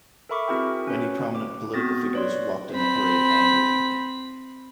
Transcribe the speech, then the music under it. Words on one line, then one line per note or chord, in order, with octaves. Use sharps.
Many prominent political figures walked in the parade annually.
A4 A#4 E5 B5 C#6 D6
C4 E4 F#4 G#4 A#4 G5
C#4 F#4 B4 C#5
D6
B3 C4 F#4 D#6 A6 A#6
B4 C#5 D5 C6
C4 B5